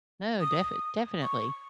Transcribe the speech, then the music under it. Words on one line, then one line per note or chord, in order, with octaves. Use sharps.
No, def definitely.
D#6
C#6